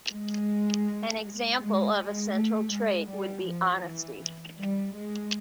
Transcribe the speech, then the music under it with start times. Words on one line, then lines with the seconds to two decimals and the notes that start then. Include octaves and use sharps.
An example of a central trait would be honesty.
0.12 G#3
1.61 G#3
1.98 G#3
2.35 A3
2.72 G#3
3.10 G3
3.46 F3
3.84 E3
4.58 G3
4.96 G#3